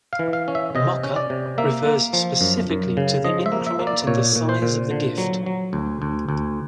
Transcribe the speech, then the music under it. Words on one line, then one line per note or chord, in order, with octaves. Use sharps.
Moka refers specifically to the increment in the size of the gift.
F5
E3
F5
C#4
E5
C3 D#5
C#4
D5
C3
A#3 E5
A#3
F3
F#2
F#2
C#3
F3 D#5
E5
A#3
E5
A#3
D5
A#2 C#5
A#2
C5
A#2
D3
F#3
F#3
D2
D2
D2